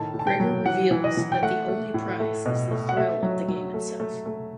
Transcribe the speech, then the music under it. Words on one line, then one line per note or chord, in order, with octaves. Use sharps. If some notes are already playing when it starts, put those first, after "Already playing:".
Grigor reveals that the only prize is the thrill of the game itself.
Already playing: A2 D#3 A5
A2
A5
G5
F#3
E3 F#5
E3
D#5
E3
G5
A3 F#5
A3
A2
A3
B2
A3
F#5
A3 E5
F#3
F#3
A3
A3
A3